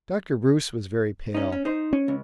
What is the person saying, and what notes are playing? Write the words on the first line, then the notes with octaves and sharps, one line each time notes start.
Dr. Bruce was very pale.
C#4 D#4
C#4
D#4 C5
C#4
C#2